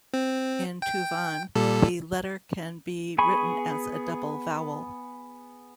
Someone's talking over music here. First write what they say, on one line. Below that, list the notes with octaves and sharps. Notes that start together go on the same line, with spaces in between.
In Tuvan the letter can be written as a double vowel.
C4
G5
A#2 G3 A4
B3 G#4 G#5 B5 C#6